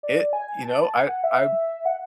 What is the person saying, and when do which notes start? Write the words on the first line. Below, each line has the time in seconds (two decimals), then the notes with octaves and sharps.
it you know, I I,
0.03 D5
0.33 G#5
0.48 G#5
0.63 A5
0.93 G#5
1.09 F#5
1.24 E5
1.85 F#5